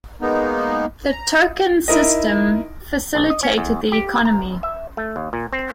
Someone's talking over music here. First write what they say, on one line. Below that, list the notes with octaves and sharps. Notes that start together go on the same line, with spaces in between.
The token system facilitated the economy.
G#3 A#3 B3 D#4
A#5
D#4 E4 A#4 D#5
A#1
D#5
C#4
E2
G4
A#5
E5
A3
D#2
A#2
C4